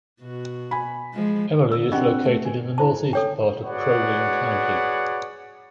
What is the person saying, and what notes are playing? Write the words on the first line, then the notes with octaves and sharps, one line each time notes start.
Emily is located in the northeast part of Crow Wing County.
B2 F#4
G#5 B5
F3 G#3
E6
C4 D4 F4 G4 D#5 F#5
A3
G#5
E4 C5 A5
A4 C#5 G5
F#4 G#4 B4 C#5 D5 F#5